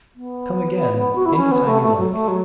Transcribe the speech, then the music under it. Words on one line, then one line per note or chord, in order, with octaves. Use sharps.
"Come again any time you like."
B3
F#4
E4
C#4
B3
A3
A3
F#3
A3
F#3